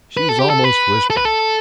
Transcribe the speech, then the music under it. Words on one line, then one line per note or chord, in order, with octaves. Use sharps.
She was almost whispering.
B4
A4
G4
A4
B4
A4
B4
A4